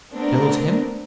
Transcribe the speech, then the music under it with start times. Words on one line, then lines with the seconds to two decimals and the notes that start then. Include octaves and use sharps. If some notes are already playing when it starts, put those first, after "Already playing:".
"Killed him?"
0.14 A3 B3 C4 D4 A#4